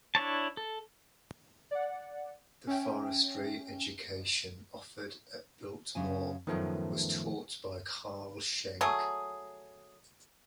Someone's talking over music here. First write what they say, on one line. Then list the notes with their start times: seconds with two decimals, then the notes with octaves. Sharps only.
The Forestry Education offered at Biltmore was taught by Carl Schenk.
0.15 D4 E4 C#5 A5
0.57 A4
1.71 D5 F#5
2.67 C#4 E5 G5
5.95 F#2 C#3 G#5
6.47 F#2 A2 D#3 F3 A3 B3
8.81 F#3 A3 G#4